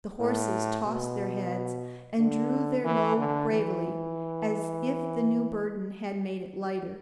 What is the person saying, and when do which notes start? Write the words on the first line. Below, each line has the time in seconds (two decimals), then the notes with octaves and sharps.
The horses tossed their heads and drew their load bravely, as if the new burden had made it lighter.
0.20 A2
0.86 B2
2.18 D3
2.84 E3
3.17 D3
3.50 E3